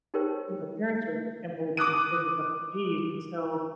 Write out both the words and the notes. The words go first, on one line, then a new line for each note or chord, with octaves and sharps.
her parents are Cambodian, they were refugees, and so
D#4 G4 A#4 C5 C#5 G5
D6 D#6 F#6 D#7